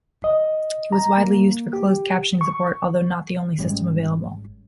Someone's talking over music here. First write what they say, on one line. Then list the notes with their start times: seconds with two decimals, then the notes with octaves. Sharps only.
It was widely used for closed captioning support, although not the only system available.
0.24 D#5
0.92 A#5
1.18 A#3
1.73 G4
2.41 C#6
3.58 G#1 G3 G#3 C#4